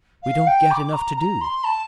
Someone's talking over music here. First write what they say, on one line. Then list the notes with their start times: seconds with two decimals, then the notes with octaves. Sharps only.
We don't get enough to do.
0.22 F5
0.47 G5
0.70 D6
0.93 A#5
1.16 A#5
1.41 C6
1.64 A5